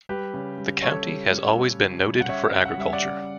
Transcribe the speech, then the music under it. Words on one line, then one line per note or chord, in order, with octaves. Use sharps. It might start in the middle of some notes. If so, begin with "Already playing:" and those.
The county has always been noted for agriculture.
G3 G4 B4
C#3
G3
G3 A4 C#5
G3
G3
G3
C#3
G3
F#5
C#3 C#5 E5
C#3
F#5
G3 E5
D5 F#5
C#3